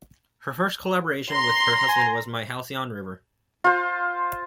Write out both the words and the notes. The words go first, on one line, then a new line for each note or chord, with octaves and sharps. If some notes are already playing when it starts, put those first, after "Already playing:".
Her first collaboration with her husband was "My Halcyon River".
A#5 C6
G#5
F4 C5